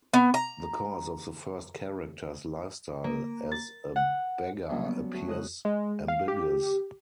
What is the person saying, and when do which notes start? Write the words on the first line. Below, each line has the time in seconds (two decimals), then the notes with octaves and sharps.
The cause of the first character's lifestyle as a beggar appears ambiguous.
0.14 B3
0.34 A#5
3.04 A#3
3.52 A6
3.96 F#5
4.69 F#3 G3 A#3 C#4 D4
4.85 B3
5.13 D2 F#4
5.27 C#3 G#3 D#4 D#6 F#6
5.65 G#3
6.08 F5
6.28 G4